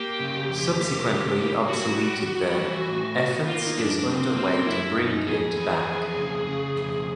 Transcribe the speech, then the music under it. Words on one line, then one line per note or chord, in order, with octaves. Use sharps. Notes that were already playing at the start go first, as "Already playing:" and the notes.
Subsequently obsoleted there, efforts is under way to bring it back.
Already playing: A#3 G4
C#3
F2
A#3
C#3
A#3
G3 F#4
G3
G3
E3
A2
B3
A#3 F4
D#4
F#2 D4
A#3 C4
A#3 C4
F#2 E4
F#2 D#4
F2 G#4
E3
F2
C#3
C#3
F2